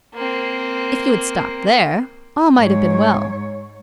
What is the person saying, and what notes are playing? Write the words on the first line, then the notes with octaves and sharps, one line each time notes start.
If you had stopped there, all might have been well.
A#3 C4
G#2 C#5